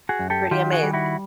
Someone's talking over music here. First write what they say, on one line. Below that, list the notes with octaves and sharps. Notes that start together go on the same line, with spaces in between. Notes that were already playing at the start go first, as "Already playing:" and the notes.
Pretty amazing.
F#4 G#4
F#2
G4 A4
D#3 F4 G4
F#4 G#4
G3
E4 F#4